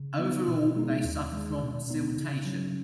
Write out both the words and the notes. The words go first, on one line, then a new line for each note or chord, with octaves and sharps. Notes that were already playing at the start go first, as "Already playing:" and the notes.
Overall they suffer from siltation.
Already playing: C#3
B3 D#4
B2
G#3 B3 D#4
D#2
D#3 G#3
B2
B3 D#4
C#3
F#3 C#4